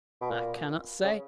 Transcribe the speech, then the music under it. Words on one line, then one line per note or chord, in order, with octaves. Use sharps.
'I cannot say.
B2
A#2
C#3